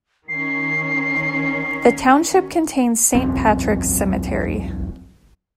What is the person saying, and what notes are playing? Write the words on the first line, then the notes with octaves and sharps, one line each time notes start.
The township contains Saint Patrick's Cemetery.
D#3 C#4 C7
E1 B1 F#2 C4